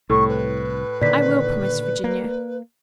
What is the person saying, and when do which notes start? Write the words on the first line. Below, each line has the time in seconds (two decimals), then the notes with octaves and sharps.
"I will," promised Virginia.
0.10 C2 A2 C#6
0.28 B4
1.01 A#2 D3 D#3 D5 B6
2.04 A#3